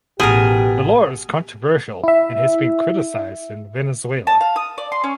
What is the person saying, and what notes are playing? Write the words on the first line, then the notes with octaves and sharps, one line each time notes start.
The law is controversial and has been criticized in Venezuela.
A1 B2 G4 G#4 A#4
E4 E5
A5
F5
D#6
D5
C6
C#4